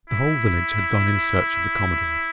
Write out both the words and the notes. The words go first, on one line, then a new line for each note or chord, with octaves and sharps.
The whole village had gone in search of the commodore.
E4